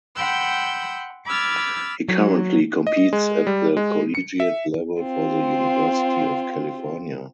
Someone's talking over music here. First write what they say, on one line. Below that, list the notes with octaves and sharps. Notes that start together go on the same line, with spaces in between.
He currently competes at the collegiate level for the University of California.
F#5 G5 B5 C6 E6 G6
B5 D6 E6 F6 G#6 A6
F#3
D#5
G#3
G3
G#3
C#7
E5
C4 F4